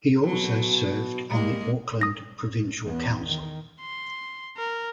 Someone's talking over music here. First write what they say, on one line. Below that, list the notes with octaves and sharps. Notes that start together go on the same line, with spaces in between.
He also served on the Auckland Provincial Council.
B2 F#3
G3 G#3 A#3
D#6 A#6
E2 B3
D#3
C6
A#4